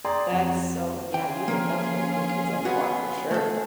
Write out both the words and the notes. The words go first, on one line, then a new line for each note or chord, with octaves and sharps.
That's so Yeah, you were definitely the cool kids on the block, for sure.
G#4 D5 G5 A#5 C6
F2
C#4 F4 G#4 G5
F3 A#3
B3 F#4
A3 G#4 A4